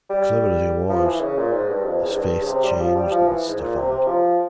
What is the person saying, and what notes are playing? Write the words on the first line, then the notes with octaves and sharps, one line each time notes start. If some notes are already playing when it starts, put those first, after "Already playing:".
Clever as he was, his face changed and stiffened.
G3
F3
E3
C#3
A#2
G#2
G2
F2
E2
G#2
G2
C#3
C3
G3
F3
G3
F3
E3
G#2
A#2
C3
C3
F3